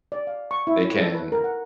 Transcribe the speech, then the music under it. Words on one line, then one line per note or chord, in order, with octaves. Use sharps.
they can
D5
F5
C#6
E4
C#5
A4
B4
A#4
F#5